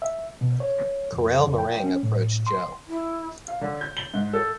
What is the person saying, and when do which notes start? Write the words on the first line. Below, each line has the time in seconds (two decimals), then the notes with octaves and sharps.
Karel Marang approached Joh.
0.02 E5
0.41 B2
0.60 C#5
1.12 F2
1.43 F2
1.58 G5
1.84 C#4
2.03 A2
2.47 C6
2.88 E4
3.48 F5
3.61 D3
3.81 G6
3.97 G7
4.14 G#2
4.33 A4